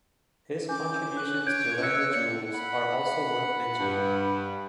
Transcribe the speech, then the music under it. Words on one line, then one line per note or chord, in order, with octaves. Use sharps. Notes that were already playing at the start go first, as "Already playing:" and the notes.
His contributions to language rules are also worth mentioning.
C#4 G#5 D6 G6
F#6
C#5 G6 G#6 D7
E6 F#6 C#7
A#3 D5 C#7
F#5 B5
G2